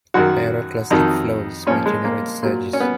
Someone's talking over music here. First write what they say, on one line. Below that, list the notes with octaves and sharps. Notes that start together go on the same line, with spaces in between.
Pyroclastic flows may generate surges.
F#2 D#3 F#3 F#4
F2 D#3 F#3 D#4
A#2 F3 C#4
G#3
A#3
A#2 F#3
C#4
B3